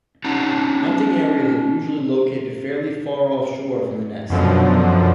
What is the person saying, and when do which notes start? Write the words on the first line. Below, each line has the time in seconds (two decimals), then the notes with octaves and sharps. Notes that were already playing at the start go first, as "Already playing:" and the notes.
Hunting areas are usually located fairly far offshore from the nest.
0.24 C#4 D#4 F#5 A5 A#5
4.30 F#2 B2 D3 F3